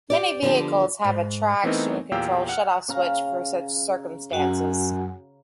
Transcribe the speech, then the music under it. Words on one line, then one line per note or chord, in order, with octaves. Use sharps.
Many vehicles have a traction control shut-off switch for such circumstances.
G4 D5
D3 F3 B3 G4
G#2
E3 A3 B3 C4 D#4 A#4
E2 A#2 G4 F5 G5 E6
F#5 F6
C#3 F5 A#5
F#2 F#4 F#5 G#5